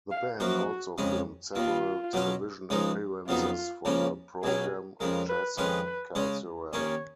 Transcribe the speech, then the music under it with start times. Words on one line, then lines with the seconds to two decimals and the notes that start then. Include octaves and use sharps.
The band also filmed several television appearances for the program "Jazz Casual".
0.11 F5
0.40 F#2 F3 A#3 F4 F#4
0.98 F2 C#3 G#3 C#4
1.55 D#2 D#3 A#3 F4
2.13 B2 F#3 C#4 F4
2.70 C#2 C#3 F3 G#3 D#4
3.28 F2 C#3 F#3 B3 D#4 F4
3.85 C#2 C#3 F3 A#3 C#4
4.43 C#2 B2 F#3 C#4 G#4
5.00 F2 C#3 G#3 A#4
5.29 B4
5.57 F2 D#3 G#3 C#4 F4 B4
6.15 C#3 G#3 C#4
6.73 D#2 D#3 A#3 C#4 C#5